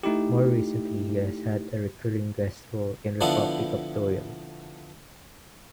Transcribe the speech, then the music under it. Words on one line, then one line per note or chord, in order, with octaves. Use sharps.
More recently, he has had a recurring guest role in "Republic of Doyle".
A3 D#4 E4 G4
D3 F3 B3 D4 E4